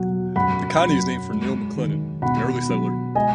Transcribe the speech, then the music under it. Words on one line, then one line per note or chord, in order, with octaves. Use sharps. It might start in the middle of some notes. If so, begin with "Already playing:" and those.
The county is named for Neil McLennan, an early settler.
Already playing: B2 F#3 F#5
F#2 F#5 B5
F#3
G#3
D#3
B2 F#5 B5
F#3
G#3 D#5 G#5